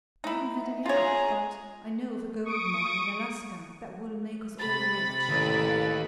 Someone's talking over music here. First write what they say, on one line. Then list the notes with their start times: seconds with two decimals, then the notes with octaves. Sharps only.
I haven't had any luck, but I know of a gold mine in Alaska that will make us all rich.
0.24 D#4 E4
0.86 F4 G#4 C#5 A#5
2.44 C#6 D#6 D7
4.59 C3 B5 A6
5.29 A1 D#2